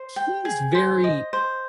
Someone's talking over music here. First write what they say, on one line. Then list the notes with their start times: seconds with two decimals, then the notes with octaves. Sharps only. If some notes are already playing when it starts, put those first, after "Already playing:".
he's very
Already playing: C5
0.16 G5
0.45 G#4
0.75 C5
1.04 D#5
1.33 C5